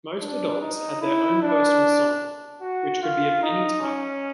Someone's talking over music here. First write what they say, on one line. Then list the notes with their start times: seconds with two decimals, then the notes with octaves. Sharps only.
Most adults had their own personal song, which could be of any type.
0.21 D4
0.61 D#4
1.01 E4
1.42 D4
2.61 F#4
3.02 F4
3.42 D#4
3.82 C#4